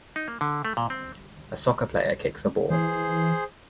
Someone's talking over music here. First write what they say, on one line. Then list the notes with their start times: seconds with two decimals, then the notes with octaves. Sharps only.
A soccer player kicks a ball.
0.16 D#4
0.28 A#3
0.41 D3
0.65 A3
0.77 A#2
0.90 C4
2.70 E3 G#4 C5